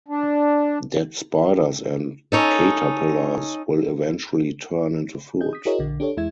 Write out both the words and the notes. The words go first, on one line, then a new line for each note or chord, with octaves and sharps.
Dead spiders and caterpillars will eventually turn into food.
D4
C#4 D#4 A4
G#4 D#5 G6
D#6 B6
E4 F#4 G#4 A#4 C#5 D#5
A#1 D3
D4 G4 A4 C#5
E2 G#3 E4 E5 G#6